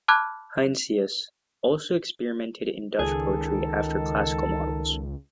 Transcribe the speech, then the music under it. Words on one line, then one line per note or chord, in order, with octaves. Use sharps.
Heinsius also experimented in Dutch poetry after classical models.
A5 B5 D6 F6 F#6 G#6
C#2 D#3 G#4 A4